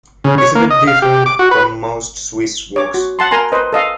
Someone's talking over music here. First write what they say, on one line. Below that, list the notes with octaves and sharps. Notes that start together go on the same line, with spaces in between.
It's a bit different from most Swiss works.
C#3
C#5
A#3
D#5
F5
G4
D6
F#4
B4
C#5 D6
F#4
F#5 A5 C6
A#4 G#5 A#5 C6
B4 C5 D#5
A4 D#5 F5